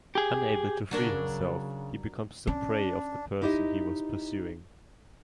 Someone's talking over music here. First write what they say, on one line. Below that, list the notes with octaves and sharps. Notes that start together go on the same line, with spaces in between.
Unable to free himself, he becomes the prey of the person he was pursuing.
G4 G#4
C#3 F#3 D4 A#4
C#4 D4
D#4 E4 G4 C5 C#5 D#5